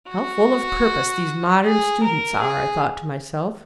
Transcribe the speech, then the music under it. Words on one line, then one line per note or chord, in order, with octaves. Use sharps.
How full of purpose these modern students are, I thought to myself.
F#4
G#4
A#4
G#4